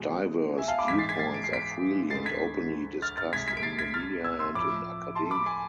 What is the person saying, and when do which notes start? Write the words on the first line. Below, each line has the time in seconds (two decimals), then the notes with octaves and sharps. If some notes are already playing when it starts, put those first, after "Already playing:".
Diverse viewpoints are freely and openly discussed in the media and in academia.
Already playing: E2 B2 G#3
0.58 E5 G#5
0.68 F5 A5
0.79 B5 D6
0.88 G#2 E3 G#3 G#6 B6
0.99 A6 C7
1.09 G#6 B6
1.19 A6 C7
1.34 D7
1.44 C7
1.53 B6 D7
2.10 D2 D3 G#3 A6 C7
2.26 G#6 B6
3.02 F6 A6
3.17 F6 A6
3.33 C2 C3 G#3 G#6 B6
3.48 G#6 B6
3.57 D7
3.63 A6 C7
3.79 G#6 B6
3.94 F6 A6
4.24 E6 G#6
4.39 C6 E6
4.54 A2 F3 A3 B5 D6
5.15 A5 C6
5.31 B5 D6
5.46 G#5 B5